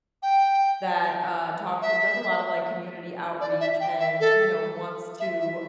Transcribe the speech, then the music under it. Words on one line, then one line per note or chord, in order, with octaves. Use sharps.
that, uh, talk it does a lot of, like, community outreach and, you know, wants to
G5
E5
D5
E5
G5
E5
A4
E5
E5